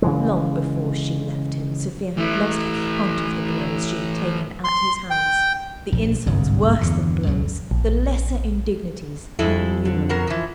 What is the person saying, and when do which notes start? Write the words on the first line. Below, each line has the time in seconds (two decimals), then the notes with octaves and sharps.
Long before she left him Sofia had lost count of the blows she had taken at his hands, the insults worse than blows, the lesser indignities innumerable.
0.02 C#3 E3 G#3
2.17 E3 A3
4.64 C6
5.10 G5
5.92 A#1
6.26 G1 C2 G#2
6.81 E2 G2 D3
7.26 C#2 F#2 B2 F#3
7.71 A#1
9.39 F2 G#3 E4 A4
9.85 D3
10.09 B2 F#3 A#4
10.27 E3 F3